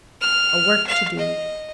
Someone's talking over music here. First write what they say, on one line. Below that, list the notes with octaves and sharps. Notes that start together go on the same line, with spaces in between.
A work to do.
F6
F5
D#5